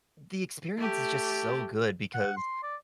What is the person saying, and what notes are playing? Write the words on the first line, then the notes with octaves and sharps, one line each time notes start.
The experience is just so good because,
A3 G4
F#5
C6
D5